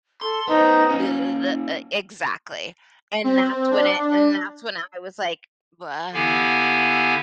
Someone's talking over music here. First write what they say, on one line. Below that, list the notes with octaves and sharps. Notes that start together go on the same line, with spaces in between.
E exactly. And that's when it and that's when I was, like, "Bleh."
A4 C6
B3 D#4 C5
A#3 C#4 F5
C4
D4
D3 B3 E4 G4 F5 G#5